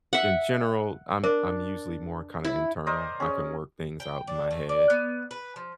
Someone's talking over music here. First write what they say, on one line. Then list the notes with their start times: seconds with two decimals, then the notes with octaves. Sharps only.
in general, I'm I'm usually more kinda internal. I can work things out in my head,
0.13 E5 F#5
1.24 D4 A#4
2.45 E4
2.87 A#4 C5 D5 D#5
3.20 C#4 G#4
4.00 G5
4.27 D4
4.51 A3
4.69 D5
4.90 B3
5.31 B4
5.56 F3